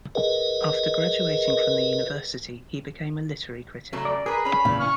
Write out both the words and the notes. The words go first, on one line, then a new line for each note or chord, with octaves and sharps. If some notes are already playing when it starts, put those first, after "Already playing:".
After graduating from the university, he became a literary critic.
G#4 A#4 B4 D#5
C#3 F#3 A3
D5
G#4 A#4 B4
C#4 B4 C#5 B5
A#2 C#3 E3
C#6 F6